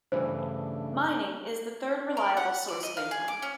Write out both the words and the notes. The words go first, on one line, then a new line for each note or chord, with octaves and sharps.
Mining is the third reliable source of income.
G2 C#3 E3 A3 D4 C5
A#4
F#5
D5
D#5
F5
G#4
D6
C#4